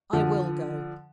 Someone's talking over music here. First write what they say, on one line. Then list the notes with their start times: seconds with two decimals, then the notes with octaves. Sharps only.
'I will go.
0.13 D3 F3